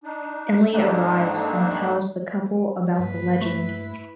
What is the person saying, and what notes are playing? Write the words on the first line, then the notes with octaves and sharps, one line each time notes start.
Emily arrives and tells the couple about the legend.
D4 D#4
G#2 A3 A#3 C4 D4 D#4
G2 A#3 B4
A3 E4